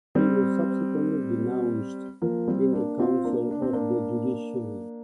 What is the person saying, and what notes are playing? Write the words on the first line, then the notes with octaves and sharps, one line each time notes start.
He was subsequently denounced in the Council of the Judiciary.
G3 C4
F3 A#3
G3 C4
A#3 D4
C4 F4
A#3 D4
D4
C4
A#3 D4